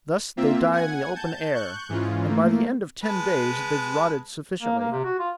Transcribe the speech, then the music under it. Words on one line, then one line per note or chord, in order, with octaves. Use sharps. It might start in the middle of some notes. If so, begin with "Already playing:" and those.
Thus they die in the open air, and by the end of ten days they've rotted sufficiently.
A#3 C4 F4 E5
F#5 G#5 G#6
A5 G6
C#6 F#6 G6
G#2 E3 G#3 C#4 F4
A3 A#3
G#3 B4 A5
A#3
A#3
C3
F#4
F4